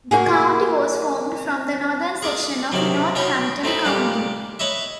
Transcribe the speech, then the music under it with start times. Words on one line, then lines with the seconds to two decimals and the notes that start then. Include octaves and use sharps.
The county was formed from the northern section of Northampton County.
0.11 A#3 F#4 G#4
2.22 G#4 A#4 D5
2.72 C3 D#3 F#3
3.15 B2 C#4 C#5 G5
3.64 A3 C4 D#4 E4
3.85 A#2 G3 G4 F5
4.59 B4 C#5 D#5 E5